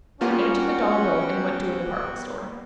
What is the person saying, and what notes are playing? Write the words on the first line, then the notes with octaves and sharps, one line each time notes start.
Ann took a dollar bill and went to a department store.
G3 A#3 B3 C#4 F4 F#4 F#5 G5